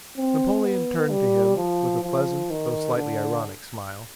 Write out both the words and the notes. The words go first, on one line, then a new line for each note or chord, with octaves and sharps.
Napoleon turned to him with a pleasant, though slightly ironic, smile.
C4
B3
G3
F3
F3
D#3
D3